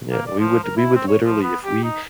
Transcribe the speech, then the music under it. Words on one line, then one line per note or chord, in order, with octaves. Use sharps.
Yeah, we would we would literally if we
A#3
D5
F3
A#4
E4
C4
C#5
F3
B3
G4
D#4